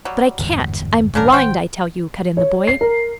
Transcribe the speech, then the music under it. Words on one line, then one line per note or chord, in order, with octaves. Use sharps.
"But I can't--I'm blind, I tell you!" cut in the boy.
F#3 G3
G1 E2 G#2
D#1 G#1 C#3 G3 D4 A#4
G#1 G#2 C5 F#5 G5
C#5
C7
A#4